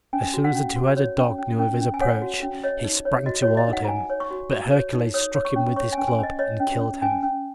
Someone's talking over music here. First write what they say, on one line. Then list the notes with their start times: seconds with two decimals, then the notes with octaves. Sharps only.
As soon as the two-headed dog knew of his approach he sprang toward him; but Hercules struck him with his club and killed him.
0.13 C#4 G#5
0.34 F#4
0.44 F#5
0.55 C#4
0.76 F#4
0.97 C#5
1.18 C#4
1.38 C#4
1.59 C#4
1.80 C#4
1.94 G#5
2.01 C#5 F#5
2.22 F#4
2.43 C#4
2.63 C#5 D#5
2.84 D#4
3.05 C#5
3.26 F#4 D#5
3.42 F#4 C#5
3.57 D#5
3.68 D#4
3.73 F#5
3.85 A#5
3.88 D#4 G#5
4.10 C#5
4.20 C#6
4.31 F#4
4.51 F#4
4.72 C#5
4.93 D#4
5.14 C#5 D#6
5.35 C#5
5.45 C#6
5.56 C#4
5.76 C#5 C#6
5.92 G#5
5.98 C#4
6.08 G#5
6.19 C#4 D#5
6.39 C#5 D#5
6.60 C#4
6.81 C#4
7.02 C#4 G#5
7.23 C#4